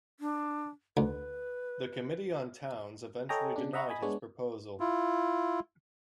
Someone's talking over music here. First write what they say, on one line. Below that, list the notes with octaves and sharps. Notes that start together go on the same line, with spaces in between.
The Committee on Towns eventually denied his proposal.
D4
D2 B4
A4 C#5 D#5 G5 G#5 A#5
C#3 D4
D#5 E5 F#5 A#5 B5 C#6
D#5 G#5 B5
G#3 B3 D4 C#5
E4 F4